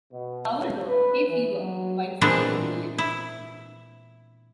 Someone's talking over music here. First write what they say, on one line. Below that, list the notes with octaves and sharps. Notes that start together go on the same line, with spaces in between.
Coward wrote "Hay Fever" while staying in the village.
B2
C#5
B4
E3
F#3
A#2 E3 G#3 B3 C4 D4
E4